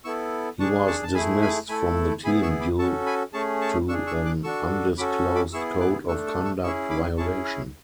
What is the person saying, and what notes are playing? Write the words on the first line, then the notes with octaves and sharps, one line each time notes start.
He was dismissed from the team due to an undisclosed code of conduct violation.
B3 E4 A4 C#6 E6
D4 G#4 A5 C#6
A5 C#6
A5
A3 E4 G#4 G#5 B5
G#5 B5
A3 E4 A4 G#5 B5
B3 E4 G#4 G#5 B5
C#6 E6
B5 D6
C#4 F#4 A4 A5 C#6
G#5 B5
A3 C#4 G#4 A5 C#6
A5 C#6
D4 G#4 C#6 E6
C#6 E6
D6 F#6
D4 F#4 A4 C#6 E6
C#4 F#4 A4 B5 D6
B5 D6
B3 E4 G#4 C#6 E6
D6 F#6
A3 D4 A4 C#6 E6
C#6 E6
C#6 E6
C#4 E4 G#4 C#6 E6
B5 D6
C#4 E4 G#4 A5 C#6
G#5 B5